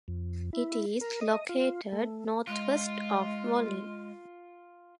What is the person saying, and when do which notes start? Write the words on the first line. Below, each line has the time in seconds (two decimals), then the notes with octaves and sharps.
It is located northwest of Volin.
0.08 F2
0.53 E4
1.01 A#4
1.21 D#5
1.49 F4
1.93 A3
2.47 G#3 F4